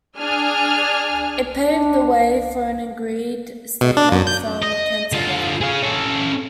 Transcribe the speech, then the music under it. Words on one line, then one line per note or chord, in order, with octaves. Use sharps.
It paved the way for an agreed statement from Canterbury.
D4 G#4 G#5 F6
D4
B2
D4
F#2
G6
D#5
D3 F4
G#4 F5
C#4 A4